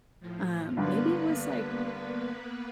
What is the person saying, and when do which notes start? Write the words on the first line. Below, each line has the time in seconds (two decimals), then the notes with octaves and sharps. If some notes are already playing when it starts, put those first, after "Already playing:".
Um, maybe it was, like,
0.20 A2 F3
0.77 G2 D3 A#3 B3 B4